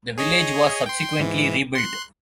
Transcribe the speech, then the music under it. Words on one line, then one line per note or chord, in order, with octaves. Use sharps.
The village was subsequently rebuilt.
G#4 C#5 D#5
G5 C6
G#2 E3
C6 F#6